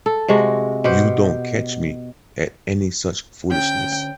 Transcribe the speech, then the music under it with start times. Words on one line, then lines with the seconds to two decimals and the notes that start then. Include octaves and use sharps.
You don't catch me at any such foolishness.
0.06 A4
0.28 C3 G#3 F#4
0.84 B2 G4 C5 F#5
3.51 D2 C#4 G5